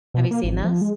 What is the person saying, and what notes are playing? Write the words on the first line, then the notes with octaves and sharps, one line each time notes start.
Have you seen those?
B2
A#3
G#1
F3
G#3